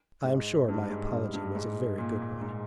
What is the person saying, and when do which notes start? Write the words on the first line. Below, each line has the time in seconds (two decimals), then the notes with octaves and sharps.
I am sure my apology was a very good one.
0.24 G#2
0.68 G2
0.90 G#2
1.11 G2
1.33 G2
1.55 G#2
1.98 A#2
2.41 G#2